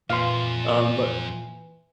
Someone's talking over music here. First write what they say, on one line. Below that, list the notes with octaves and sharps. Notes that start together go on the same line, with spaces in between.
um, but
F2 A#2 E3 F5 C6